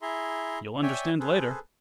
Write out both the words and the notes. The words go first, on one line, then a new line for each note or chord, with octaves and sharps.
You'll understand later....
E4 G#4 E5 A#5 C6
C#5 D5 E5 G5 G#5
G#4 A4 B4 C5